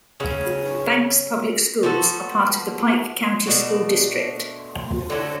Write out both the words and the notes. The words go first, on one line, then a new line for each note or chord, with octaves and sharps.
Banks Public Schools are part of the Pike County School District.
C#3 F#3 C#4
F3 B3 F#4 A4
B2 A3 D4 F#4
D3 F#3 A3